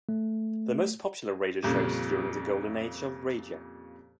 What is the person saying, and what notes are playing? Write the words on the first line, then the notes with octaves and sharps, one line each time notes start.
The most popular radio shows during the Golden Age of Radio.
A3
F2 A#2 C#3 G3